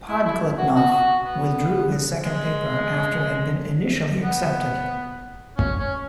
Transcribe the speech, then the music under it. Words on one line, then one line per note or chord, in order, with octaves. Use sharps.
Podkletnov withdrew his second paper after it had been initially accepted.
E4
E4
F#4
F#4
F#4
B3
G#3
B3
C#4
C#4